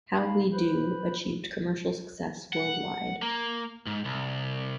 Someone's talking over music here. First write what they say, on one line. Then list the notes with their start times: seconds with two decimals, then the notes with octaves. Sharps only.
"How We Do" achieved commercial success worldwide.
0.15 D#4 F5 B5
0.53 B4 C5 B5
2.53 F#5
3.22 A#3
3.87 G#2
4.05 C2